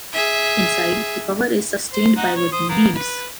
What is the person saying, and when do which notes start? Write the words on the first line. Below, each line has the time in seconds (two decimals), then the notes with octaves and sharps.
Inside, the cover is sustained by wooden beams.
0.13 G#4 E5
1.92 C5
2.17 D#4 F#4
2.36 C#5
2.52 C5 D#6
2.69 A#3 B3
2.95 B4